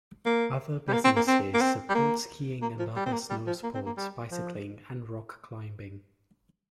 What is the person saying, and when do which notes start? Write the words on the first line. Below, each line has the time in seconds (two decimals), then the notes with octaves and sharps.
Other businesses support skiing and other snowsports, bicycling, and rock climbing.
0.26 A#3
0.88 G3
0.93 A#3
1.04 C4
1.16 A#3
1.27 C4
1.54 A#3
1.61 C4
1.90 G3
1.95 A#3
2.62 A#3
2.79 F3
2.96 G3
3.06 C4
3.13 A#3
3.30 G3
3.47 F3
3.63 A#3
3.74 C4
3.86 A#3
3.97 G3
4.31 F3